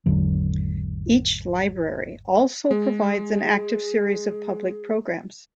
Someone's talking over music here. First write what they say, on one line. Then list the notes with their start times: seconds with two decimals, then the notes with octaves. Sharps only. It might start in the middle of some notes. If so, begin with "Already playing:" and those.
Each library also provides an active series of public programs.
0.06 G#1 E2 D3 F#3
2.71 G#3 G#4